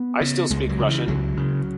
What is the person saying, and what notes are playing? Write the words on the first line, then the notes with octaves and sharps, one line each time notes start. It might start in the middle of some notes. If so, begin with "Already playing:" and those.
I still speak Russian.
Already playing: B3
C#3
C#2 G#3
F#3
C#3
E3
C#2 F#3
C#3